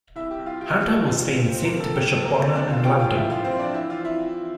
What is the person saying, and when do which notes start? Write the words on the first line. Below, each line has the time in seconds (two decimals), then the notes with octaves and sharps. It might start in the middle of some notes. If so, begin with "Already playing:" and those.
Hunter was then sent to Bishop Bonner in London.
0.16 C2 E4 E5
0.31 G4
0.39 C2
0.46 F4 F5
0.61 C3 G4 G5
0.83 C3
1.05 G2 F4 F5
1.28 G2
1.50 A3 C4 C5
1.65 A#3 A#4
1.73 G2
1.80 A4
1.95 A3 G4
2.11 A4
2.18 C4
2.25 A#3 A#4
2.40 C4 C5
2.55 D4 D5
2.63 A3
2.70 F4 F5
2.85 A#2 G4 G5
3.00 F4 F5
3.08 F3
3.16 E4 E5
3.30 A#1 F4 F5
3.44 C4 C5
3.53 F3
3.59 D4 D5
3.74 E3 E4 E5
3.90 F4 F5
3.97 C4
4.05 E4 E5
4.20 E3